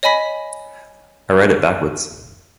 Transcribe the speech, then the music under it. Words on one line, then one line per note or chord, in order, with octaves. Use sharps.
I read it backwards.
C#5 D#5 G#5 B5 B6